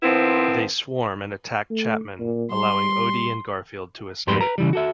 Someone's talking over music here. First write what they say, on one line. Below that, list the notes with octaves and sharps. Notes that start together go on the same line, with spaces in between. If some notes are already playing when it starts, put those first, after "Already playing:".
They swarm and attack Chapman, allowing Odie and Garfield to escape.
D#3 F3 B3 C4 E4
A3
A#2
G3 C6
F2 G#2 G3 G4 B4 C6
B4 A#5
C#3 E3 G3
F#4 A4 E5